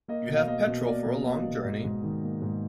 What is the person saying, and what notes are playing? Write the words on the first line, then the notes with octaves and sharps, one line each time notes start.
You have petrol for a long journey?
A#3 D#5
B2
F5
A#3 D#5
B2
A#3 D5
B2
A#3 D#5
B2
G#2
G#2
D#3
A#3
G#2